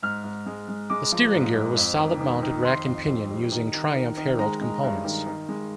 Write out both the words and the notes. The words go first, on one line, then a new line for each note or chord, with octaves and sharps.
The steering gear was solid-mounted rack and pinion using Truimph Herald components.
G#2 F6
G#2
G#3
G#3
G#3 D6
F3
G#2
G#2
F2
D#3
D#3
D#3
D#3 C6
F2
F2
G3
D#3
D#3
D#3
D#3
G#3 A#5
G#3
G2
D#3
D#3
G#3